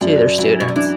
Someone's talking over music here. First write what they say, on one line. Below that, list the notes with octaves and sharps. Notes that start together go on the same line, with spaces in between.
to their students.
F#2 D3
E3 F#3
B2
D3
E3 D4